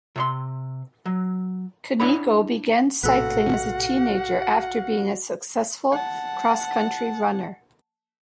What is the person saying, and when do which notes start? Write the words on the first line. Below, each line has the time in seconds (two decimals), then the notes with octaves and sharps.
Cunego began cycling as a teenager after being a successful cross-country runner.
0.16 C3 C#5 C6
1.06 F#3
2.00 D4 E4 C#5 F#5 B5
3.03 A#1 A2 C3 F#4 A4 B4 F5 F#5
5.92 F#5 A5